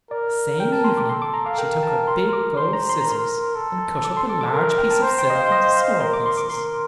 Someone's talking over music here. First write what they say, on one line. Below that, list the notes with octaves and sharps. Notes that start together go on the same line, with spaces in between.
The same evening, she took her big gold scissors and cut up a large piece of silk into small pieces.
A#4 D5
A#4 G5
A5
C6
D6
A4 C6
D6
A#5
F5
A#4 G5
A5
C6
D6
C5 C6
A#5
C6
A#5
A#4
C6
A4
D6
C6
D6
D6
A#4
A#5
G5
A5
C5 A#5
G5
D#5
F5
D#5
F5
A#4 C6
D6
C6
D6
A#4 C6